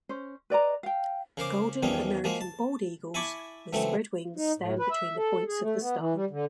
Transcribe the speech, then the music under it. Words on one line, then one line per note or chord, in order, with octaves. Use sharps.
Golden American bald eagles with spread wings stand between the points of the star.
C#4 C5
B4 D5 D#5 A#5
F5 G5
C#3 A#4 C5 D6
E2 D#3 F3 G3 C#4 D#4
F3 G#3 A#3 F#4
A5
E4 G#5 A5 B5 C#6 D6
C#2 E3 F#3 A3 C4
D#4
A2
B4
E5
A4
G#4
A3
B3
E3
G3
D3